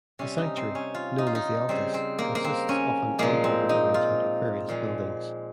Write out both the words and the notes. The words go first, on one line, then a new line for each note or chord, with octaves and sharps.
The sanctuary, known as the Altis, consists of an unordered arrangement of various buildings.
C3 G3 C#4
D#4
C4
C#4
F4
D#4
F4
D#4
C#3 G3 C4
C4
A#3
A#3
C4
C#4
A#2 F3 G#3 A#3
C4
D#4
F4
A#2 F3 G#3